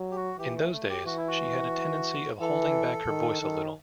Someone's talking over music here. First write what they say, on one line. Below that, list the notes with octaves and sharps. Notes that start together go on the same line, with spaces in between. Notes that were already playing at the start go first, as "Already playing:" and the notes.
In those days, she had a tendency of holding back her voice a little.
Already playing: F#3
G4
F#4
E3 G4
A3
A3
G4
E3 F#4
E4
F#4
E3 A4
D#3
D#3